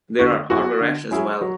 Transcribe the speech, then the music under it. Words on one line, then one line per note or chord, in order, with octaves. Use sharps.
There are Arbereshe as well.
D3 F#4
F#3 C#4 E4 F#4 G#4
D3
F#3 C#4 E4 G#4
F#3